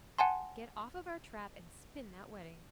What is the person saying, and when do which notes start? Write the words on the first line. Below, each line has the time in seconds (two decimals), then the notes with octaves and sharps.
"Get off of our trap and spin that wedding."
0.18 F#5 G#5 A5 C6